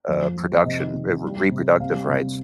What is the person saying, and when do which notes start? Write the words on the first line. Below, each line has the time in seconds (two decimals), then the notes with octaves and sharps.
uh, production eh, re reproductive rights
0.08 F2
0.23 F3
0.37 F3
0.52 F2
0.65 C3 D#5
0.80 D#3
0.94 C3
1.08 C3
1.23 G3
1.37 G3
1.51 C3
1.66 G3
1.80 C3 F5
1.94 G3
2.08 C3
2.23 G3